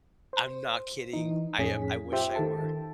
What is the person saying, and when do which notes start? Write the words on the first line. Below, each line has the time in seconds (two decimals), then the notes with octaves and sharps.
I'm not kidding. I am I wish I were.
0.33 C5
1.13 E3 D#4
1.58 F2 A2 C#4 G#4 B6
2.12 F4 G4 C5 E5 G5
2.35 D#3 A4 A5